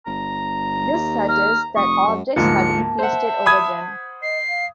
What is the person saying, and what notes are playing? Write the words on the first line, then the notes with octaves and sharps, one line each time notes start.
This suggests that objects have been "pasted" over them.
G1 A#5
D#2
A#5 F6
F1 C#6 D#6
F#2
D2 G#2 F3 A#3 A5 C#7
C5 E5 F#5
B5 D#6 G#6
D#5 C7
F5